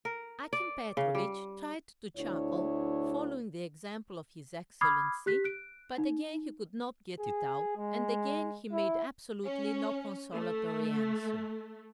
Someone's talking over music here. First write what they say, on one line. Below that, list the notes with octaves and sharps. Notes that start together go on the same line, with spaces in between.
Akim Petrovitch tried to chuckle, following the example of his Excellency, but again he could not get it out, and again he made absolutely no consolatory answer.
A#4
D5
C#3
G3
D2 D4 E4 C#5
B5 D6 D#6 F6 G#6 C7
G4 F#6 B6
F#6 D7
D#4
G#4
G#3
E4
C#4
A3